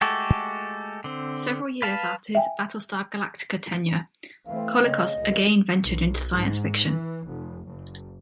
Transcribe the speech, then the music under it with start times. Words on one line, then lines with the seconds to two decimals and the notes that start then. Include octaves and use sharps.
Several years after his "Battlestar Galactica" tenure, Colicos again ventured into science fiction.
0.01 G#3 A3 F#4 G4 A4
1.04 D3 C4
1.82 B4 F5 A5 B5
2.35 E5 G5 G#5
4.46 E3 A3 C4 F5
4.84 C#3 D#5
5.19 C#2
5.82 B1
6.32 G#2
6.86 E3
7.26 F1
7.66 F#1